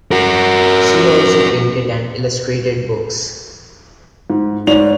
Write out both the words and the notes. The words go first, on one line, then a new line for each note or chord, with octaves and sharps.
She also painted and illustrated books.
F#4 A#4
G#2
G#2 C#5 D5 F7